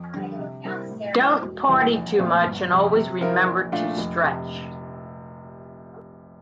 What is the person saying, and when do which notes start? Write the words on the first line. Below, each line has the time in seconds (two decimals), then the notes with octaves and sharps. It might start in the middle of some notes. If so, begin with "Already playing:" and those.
Don't party too much and always remember to stretch.
Already playing: F2
0.14 D3 G3
0.39 C3
0.65 G3 C4 E4 A#4
0.90 A2
1.16 G3 C4 E4
1.42 E1
1.68 E2 C3 E3 G3
1.93 A#1
2.18 A#2 F3 A3 C4
2.44 G1
2.70 F2 C3
2.95 C3
3.21 F3 C4 E4 A#4
3.47 A#1
3.72 A#2 A3 D4 F4
3.97 F1
4.23 C3